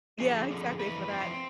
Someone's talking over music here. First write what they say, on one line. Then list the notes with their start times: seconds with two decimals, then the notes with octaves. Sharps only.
Yeah, exactly for that.
0.20 F2 D3 F3 G#4
0.51 F2 D3 F3
0.79 F2 E3 B4
1.08 F2 E3 C4